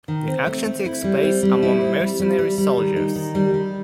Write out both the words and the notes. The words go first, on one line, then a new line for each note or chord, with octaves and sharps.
The action takes place among mercenary soldiers.
D#3
C4
A3
C4
E4
G3
C4
G3
E4
C4
G3
G3
G3
G3
D#3
D#4
D#3
G3
G3